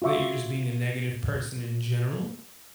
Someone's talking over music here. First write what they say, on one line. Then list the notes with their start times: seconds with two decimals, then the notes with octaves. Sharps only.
that you're just being a negative person in general,
0.02 F4 F#4 E5 C#6 D6